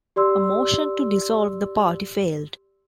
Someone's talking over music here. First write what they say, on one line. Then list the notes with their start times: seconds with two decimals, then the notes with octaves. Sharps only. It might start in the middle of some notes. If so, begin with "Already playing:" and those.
A motion to dissolve the party failed.
0.16 G4 D5 C6 E6